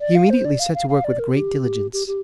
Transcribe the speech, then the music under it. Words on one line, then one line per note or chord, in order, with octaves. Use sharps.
He immediately set to work with great diligence.
D5
F5
C5
D5
F5
F5
F5
D5
A#4
G4
G4
G4